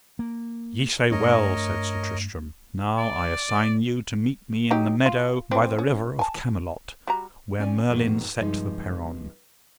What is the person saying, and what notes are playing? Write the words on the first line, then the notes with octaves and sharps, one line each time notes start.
Ye say well, said Sir Tristram, now I assign you to meet me in the meadow by the river of Camelot, where Merlin set the peron.
A#3
G2 A3 D4 A#4 C#5 D#5
D5
F#3 D#4 G4
F4
E3 F3 C4
C#4
G#5 A5
G3 F#4 A#5
C4 C#4 D5 G#5
F2 G#2 B2 D#3 A#3 B3
G2 C3 F3 G#3 D#4